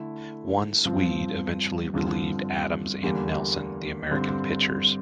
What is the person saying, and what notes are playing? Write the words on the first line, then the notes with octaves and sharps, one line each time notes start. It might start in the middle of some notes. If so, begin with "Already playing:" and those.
One Swede eventually relieved Adams and Nelson, the American pitchers.
Already playing: D3 A3 E4
G2 F3 C4 F4
G2 D3 F3 C4
E2 D3 G3 A#3
G2 D3 G3 C4